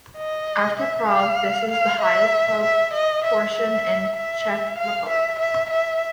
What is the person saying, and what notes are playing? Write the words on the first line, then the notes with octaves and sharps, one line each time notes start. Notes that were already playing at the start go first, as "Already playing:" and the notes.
After Prague, this is the highest proportion in the Czech Republic.
D#5
E5
F5
F5
E5
E5
D#5
E5
E5
E5
F5
E5
E5
E5